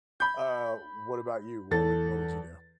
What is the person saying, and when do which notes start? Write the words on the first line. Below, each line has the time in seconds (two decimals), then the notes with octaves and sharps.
Uh, what about you? What would what would you do?
0.20 B5 G6
1.71 E2 A4 A6